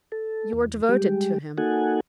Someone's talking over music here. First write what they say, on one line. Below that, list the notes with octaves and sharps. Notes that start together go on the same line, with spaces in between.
"You are devoted to him."
A4
E2
G3 G#3 G4
A#3 D#4 F#4 A4 F#5 G#5